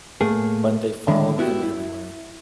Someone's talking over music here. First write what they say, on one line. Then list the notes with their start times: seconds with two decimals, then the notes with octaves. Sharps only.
But they followed him everywhere.
0.21 A2 A3 A#3 G#4
1.08 D3 D#3 G#3
1.38 B3 E4 F#4 G4
1.63 E4